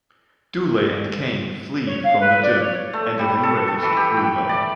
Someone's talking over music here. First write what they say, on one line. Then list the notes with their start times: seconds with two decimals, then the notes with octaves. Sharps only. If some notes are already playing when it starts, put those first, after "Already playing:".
Dooley and Kane flee from the gym and an enraged Bruno.
1.87 C#5
2.04 F5
2.20 B4
2.43 D5
2.60 C#5
2.93 A3
3.19 G3
3.43 A4
3.68 A4
3.82 E3
3.97 G4
4.17 G5
4.49 D5